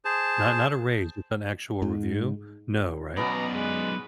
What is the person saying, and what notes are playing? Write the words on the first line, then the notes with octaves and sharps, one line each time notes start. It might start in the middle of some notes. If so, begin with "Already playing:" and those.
Not not a raise. It's an actual review. No, right?
G#4 C5 A5
G#2
A#2
B1 B2 B3 C#4 D5 A#5
G#3 B4